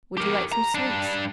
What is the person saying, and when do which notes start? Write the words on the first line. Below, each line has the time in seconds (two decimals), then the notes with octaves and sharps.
Would you like some sweets?
0.18 G4 A#4
0.52 A#5
0.75 G2 D4